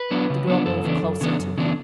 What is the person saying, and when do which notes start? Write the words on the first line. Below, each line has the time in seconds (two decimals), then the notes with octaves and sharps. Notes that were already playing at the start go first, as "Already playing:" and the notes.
The girl moved closer to him.
Already playing: B4
0.11 F#3 B3 D4
0.30 C#3
0.47 F#3 B3 D4
0.66 F#2 A4
0.84 C#3 E3 B3 D4
1.02 F#2
1.21 C#3 E3 B3 D4
1.39 F#2
1.58 C#3 E3 B3 D4